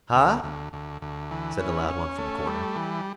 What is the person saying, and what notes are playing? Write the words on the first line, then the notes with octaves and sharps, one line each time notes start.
"Huh!" said the loud one from a corner.
D2
D2
D2
D2
E3
C#4
C#4
A3
G3
E3